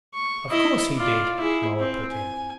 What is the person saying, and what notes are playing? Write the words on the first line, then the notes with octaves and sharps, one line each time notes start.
"Of course he did," Moa put in.
C#6
E4 D#5
F4 D5
E4 G#4
C4
G#5